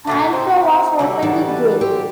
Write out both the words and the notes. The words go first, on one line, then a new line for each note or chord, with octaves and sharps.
Polito was openly gay.
A#2 D3 A3 F#4 E5
C4 D#4 C5
D3 G3 F#4
E3 G#4 A5 D6
B4 A5
G4 C5 E6